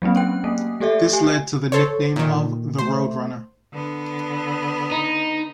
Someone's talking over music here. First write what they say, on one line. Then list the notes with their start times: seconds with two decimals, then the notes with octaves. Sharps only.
This led to the nickname of the Roadrunner.
0.02 F#3 G#3 A#3 C4
0.16 C#4 G5
0.44 A3 A#3
0.80 A3 G4 A4 D5 E5
1.13 G4 G#5
1.72 A4 C5 C#5
2.16 A#2 D#3
2.79 A3 C5
3.73 D3 B3
4.91 D#4